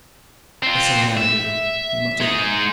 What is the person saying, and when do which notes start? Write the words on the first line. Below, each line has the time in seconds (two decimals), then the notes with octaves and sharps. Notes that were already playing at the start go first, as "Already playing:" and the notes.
"This'll never do," he muttered.
0.63 C4 F4
1.17 E5
2.20 G#3 D#4